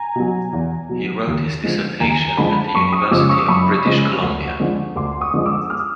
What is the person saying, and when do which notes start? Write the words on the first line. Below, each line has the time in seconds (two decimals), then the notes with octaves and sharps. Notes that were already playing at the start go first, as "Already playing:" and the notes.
He wrote his dissertation at the University of British Columbia.
Already playing: G#5 A#5
0.16 B2 F#3
0.53 E2
0.89 B2 F#3
1.27 D#2
1.64 D3 F3 G#3
2.00 D#2 G#5 A#5
2.37 D3 F3 G#3 A5 B5
2.74 F#2 B5 C#6
2.92 C#6 D#6
3.11 C#3 F3 G#3 D6 E6
3.29 C#6 D#6
3.48 F#2 B5 C#6
3.85 C#3 F3 G#3
4.22 D2
4.60 D3 F3 G#3
4.96 D2 C6 D6
5.21 C#6 D#6
5.34 D3 F3 G#3
5.46 D6 E6
5.70 D#6 F6